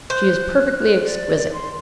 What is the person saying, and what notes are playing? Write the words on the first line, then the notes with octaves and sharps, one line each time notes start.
She is perfectly exquisite.
C5 F#6
D5
C6